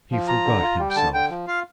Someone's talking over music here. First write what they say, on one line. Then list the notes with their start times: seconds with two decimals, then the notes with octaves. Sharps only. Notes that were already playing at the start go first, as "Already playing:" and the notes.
He forgot himself.
0.11 F3
0.28 F4 A#5
0.45 D3
0.63 F4
0.79 G3
0.90 G5
0.96 D3 A5
1.14 D3 G5
1.30 F3
1.47 F4 F5